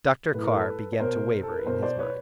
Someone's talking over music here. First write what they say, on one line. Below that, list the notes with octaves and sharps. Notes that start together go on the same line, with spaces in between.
Dr. Carr began to waver in his mind.
A2 E3 B4
A#4
A4 B4
C#5
B2 A#4 C5
A4
A#4
B4
B2 A#4 C5
C5 D5
B4 C#5